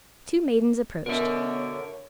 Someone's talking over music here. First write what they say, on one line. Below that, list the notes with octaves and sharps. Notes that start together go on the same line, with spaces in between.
Two maidens approached.
B2 D3 A#4 C#5 E5